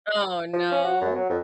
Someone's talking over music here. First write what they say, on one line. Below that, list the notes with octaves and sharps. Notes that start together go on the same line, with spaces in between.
Oh, no.
F3
C#4
F#4
F#2
F#3
F2